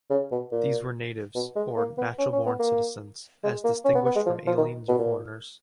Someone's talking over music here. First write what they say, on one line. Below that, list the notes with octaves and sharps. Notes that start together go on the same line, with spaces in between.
These were natives, or natural-born citizens, as distinguished from aliens or foreigners.
C#3
B2
A#2
B2
G#3
A#3
B3
C#4
C#4
B3
A#3
G#3
A#3
C#4
B3
B3
G#3
F3
F3
D#3
B2
A#2